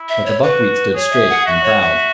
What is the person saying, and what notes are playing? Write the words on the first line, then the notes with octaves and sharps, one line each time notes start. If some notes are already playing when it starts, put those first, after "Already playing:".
But the buckwheat stood straight and proud.
Already playing: E4
E5
C#5
F#4 B4
G#4 C#5
E5
F#5
F#4 E5
C#5
E5